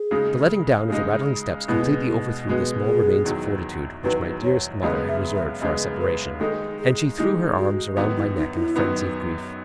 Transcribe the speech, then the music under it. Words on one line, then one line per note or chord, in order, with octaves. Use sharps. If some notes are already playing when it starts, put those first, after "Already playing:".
The letting down of the rattling steps completely overthrew the small remains of fortitude which my dearest mother had reserved for our separation, and she threw her arms around my neck in a frenzy of grief.
Already playing: G#4
C#3 G#3 D#4
C#3 G#3 D#4
B2 G#3 B3 E4
E4
B2 G#3 B3 F#4
G#4
E2 D#3 F#3
E2 D#3 F#3 B4
C#5
F#2 C#3 G#3 B3 D#5
E5
E5
F#2 C#3 G#3 B3 D#5
B4
D#3 G#3 D#4 A4
G#4
D#3 G#3 D#4 E4
F#4
F#2 D#3 F#3 B3 D#4
E4
D#4
E4
F#2 D#3 F#3 B3